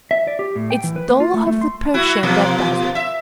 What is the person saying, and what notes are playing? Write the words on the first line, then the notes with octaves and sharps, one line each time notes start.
It's 'Dolokhov the Persian' that does it!
E5
D5
G4
A2
G5
E3
B4
A#3
F4
A3
A3
C6
E4 F#4
B2 F3 A#3
E5